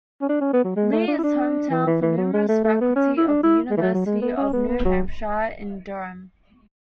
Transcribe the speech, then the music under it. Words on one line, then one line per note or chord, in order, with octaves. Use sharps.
Lee is hometown for numerous faculty of the University of New Hampshire in Durham.
C#4
D4
C#4
B3
F#3
G#3
A3
D4
E4
D4
E3
E3
E3
F#3
G#3
A3
A3
B3
C#4
E4
D4
E4
G#3
E3
F#3
F#3
G#3
B3
C#4
B3
B3
F#3